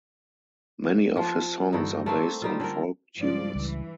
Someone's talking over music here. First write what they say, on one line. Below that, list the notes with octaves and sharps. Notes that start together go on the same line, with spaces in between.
Many of his songs are based on folk tunes.
F3 F4
G2 D3 E3 D#4
A3 A#3 C4
G3 D#4 F4
D3 A#4
G2 F3 D5
C#2 E3